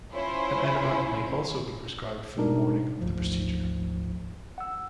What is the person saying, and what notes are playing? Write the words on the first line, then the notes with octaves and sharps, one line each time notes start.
An enema may also be prescribed for the morning of the procedure.
C#4 E4 F4 C5
B2 G3 G#3 D4 D#4 A#4
A1 D2 G#2 F3
F#5 E6